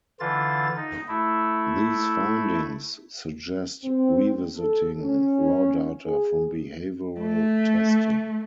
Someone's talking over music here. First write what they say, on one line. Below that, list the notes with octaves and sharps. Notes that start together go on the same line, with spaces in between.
These findings suggest revisiting raw data from behavioral testing.
D3 E3 F4 A6
D#4
A3 E4
C4
A4
C#4
G#4
A3